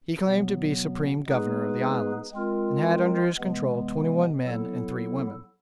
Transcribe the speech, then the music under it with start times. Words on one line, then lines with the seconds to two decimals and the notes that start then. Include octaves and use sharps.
He claimed to be supreme governor of the islands, and had under his control twenty-one men and three women.
0.23 B2 F#3 B3
1.28 G#3 B3 D#4 G#4 B4
2.33 G#3 C4 F4 A#4
3.38 C3 E3 G#3 B3
4.43 F#3 B3 E4 A4